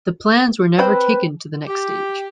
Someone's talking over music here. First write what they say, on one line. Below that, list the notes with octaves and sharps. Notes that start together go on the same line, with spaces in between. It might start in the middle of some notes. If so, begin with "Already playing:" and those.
The plans were never taken to the next stage.
C4 B4 C5 B5
G4